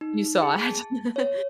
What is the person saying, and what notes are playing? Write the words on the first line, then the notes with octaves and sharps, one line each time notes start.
You saw it.
D#4
G#4
A5
C#5